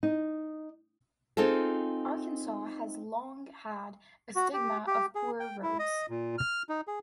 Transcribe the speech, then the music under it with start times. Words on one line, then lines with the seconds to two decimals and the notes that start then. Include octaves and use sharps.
Arkansas has long had a stigma of poor roads.
0.03 D#4
1.37 C4 D#4 F4 G#4 A4
4.36 F#4
4.53 G4
4.87 G4
5.15 G#4
5.40 G5
5.63 E4
5.79 D#5
6.10 A#2
6.38 F6
6.69 D#4
6.87 G#4